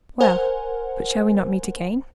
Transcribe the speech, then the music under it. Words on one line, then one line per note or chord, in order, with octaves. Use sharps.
"Well, but shall we not meet again?"
A#4 C5 F#5 G#5